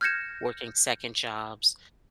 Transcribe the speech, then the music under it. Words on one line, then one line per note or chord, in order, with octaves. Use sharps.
working second jobs,
F6 G6 G#6 A#6 C#7 E7